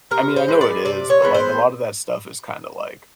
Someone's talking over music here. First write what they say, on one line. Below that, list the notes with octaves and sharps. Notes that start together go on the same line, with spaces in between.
I mean, I know it is, but, like, a lot of that stuff is kinda, like,
C3 A#4
C5
E3 G#3 B3
D5
C3 D5
C#5
E3 G#3 B3
C5